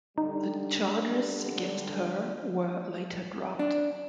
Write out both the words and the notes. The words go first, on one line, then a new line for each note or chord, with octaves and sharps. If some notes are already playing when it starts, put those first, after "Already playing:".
The charges against her were later dropped.
D3 G3 D#4
D4